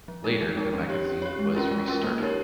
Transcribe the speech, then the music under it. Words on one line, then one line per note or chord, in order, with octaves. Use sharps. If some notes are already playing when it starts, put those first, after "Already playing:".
Later the magazine was restarted.
F3
G#3 D#4 A#4
F3
G#3 D#4 A#4
C#4
G4 C#5
C#4
G4 C#5
G#3
C#4 F4 A#4
G#3
C#4 F4 A#4
A#3
D#4 G4 A#4 C#5